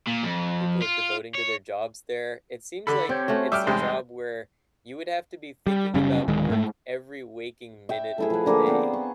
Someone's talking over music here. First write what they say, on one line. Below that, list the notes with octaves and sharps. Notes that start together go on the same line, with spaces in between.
people are devoting to their jobs there, it seems like it's a job where you would have to be thinking about work every waking minute of the day,
A#2
F2
F4
C#5
D3 A4 B5
C4 G4 C5 C#5
A3 C#4 F#4
G3 E5 G5 D6 F6
E2 G#2 C3 C5 G5 C6
G3
F#1 C#3 G3 C#4
D1 D#3 G#3
G#2 A3
E5 G5
A3 E4 G#4
F3 B4
D3 A#3 G#4 C5
B3 C4 C5 D5
C#6